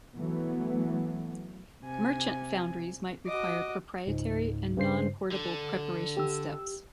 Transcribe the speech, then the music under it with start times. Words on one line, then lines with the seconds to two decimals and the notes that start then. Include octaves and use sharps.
Merchant foundries might require proprietary and non-portable preparation steps.
0.16 E3 F#3 A3 B3
1.82 C3 G#5
3.25 F#4 D#5 D6
4.07 C#2 G#2
4.77 G2 C#3 C5 C7
5.32 D3
6.17 G4 E6